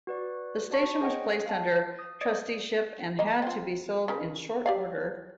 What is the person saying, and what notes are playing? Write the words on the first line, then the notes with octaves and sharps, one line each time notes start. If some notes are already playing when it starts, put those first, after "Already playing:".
The station was placed under trusteeship, and had to be sold in short order.
F#4 B4 D5
F#4 D5 A5 C#6
G#4 C5 C#5 D#5 F#5 G5
F5 A5
D#6
C5 D5 D#5 D#6 G#6 A6
A#3 D#5
C4 F4
C#3 A#4 B4
G4 D5 F5